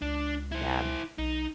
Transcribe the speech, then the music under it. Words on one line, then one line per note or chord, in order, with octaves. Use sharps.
Yeah, m
C#2 D4
E4 C5
B1 D#4